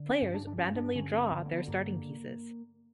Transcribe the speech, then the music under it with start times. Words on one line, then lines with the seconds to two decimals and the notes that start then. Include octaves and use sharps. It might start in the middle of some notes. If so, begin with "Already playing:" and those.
Players randomly draw their starting pieces.
Already playing: D3
0.10 C#4
0.22 G2
0.34 D4
0.47 D4
0.58 G2 C#4
0.76 D4
0.95 D3 C#4
1.12 C4
1.31 D3 C4
1.38 B3
1.45 A#3
1.52 B3
1.68 G2 A#3